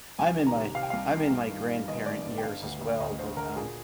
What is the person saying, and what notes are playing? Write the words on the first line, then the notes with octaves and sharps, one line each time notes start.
I'm in my I'm in my grandparent years as well, but, um
C2 G#5
D#3
A#5
C3
C3 F5
G5
C2 F5
D#3
G2
D#3
D#3
G1 D#5
D#3 D5
G1
G5
D3 F5
D2
D2
D2 D#5
D3 C5
D3 A#4
A#2 G#4